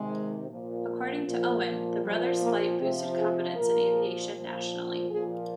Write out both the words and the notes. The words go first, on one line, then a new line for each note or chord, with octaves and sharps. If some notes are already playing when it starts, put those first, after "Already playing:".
According to Owen, the brothers' flight boosted confidence in aviation nationally.
Already playing: C3 D#3 G#3
A#2 F3
A#2 F3
A#2 F3 G3
A#3
C3 F3 C4
G#4
A#2 F3 A#4
A#2 F3
A#2 F3 G#4